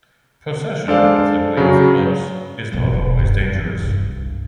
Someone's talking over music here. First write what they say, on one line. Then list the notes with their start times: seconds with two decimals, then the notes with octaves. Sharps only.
Possession of the Queen of Clubs is not always dangerous.
0.88 G#3 D4 A4 C5 D5 F5
1.57 C#3 F#3
2.73 G#1 B2
2.93 E1
3.19 G2
3.80 C2 G2